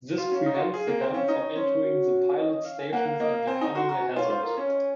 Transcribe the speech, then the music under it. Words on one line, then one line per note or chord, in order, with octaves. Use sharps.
This prevents the gun from entering the pilots stations and becoming a hazard.
F4 F#4
C#4
F5
D#4
F4 F#4 F5
G#4 F5
A#3
C4 G#5
C#4 F5
D#4 D#5
C#5
C#4 C5
F#4
D#5
D#5
F5
G#5
A#3 F#5
F5
A#3 D#5
F5
C4 G#5
D#4 A#5
F#4 C6
F#4 A#5
G#5
F4 C#5
F4 C5
F4 A#4
C#4 G#5